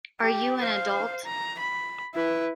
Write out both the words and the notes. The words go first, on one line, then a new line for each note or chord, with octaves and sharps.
Are you an adult?
G4
C5 F5
A#5
B5
E4 B4